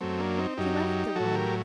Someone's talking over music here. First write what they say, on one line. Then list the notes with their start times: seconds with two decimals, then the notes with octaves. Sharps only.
She left the room.
0.01 F#2 F#3 A3 C4
0.19 A#3 D4
0.38 C4 D#4
0.57 F#2 F#3 D#4 G4
1.16 A2 F#3 F#4 A4
1.35 G4 A#4